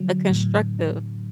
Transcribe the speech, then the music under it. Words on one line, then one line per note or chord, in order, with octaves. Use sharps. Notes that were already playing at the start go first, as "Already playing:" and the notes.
A constructive
Already playing: D3 F#3
A2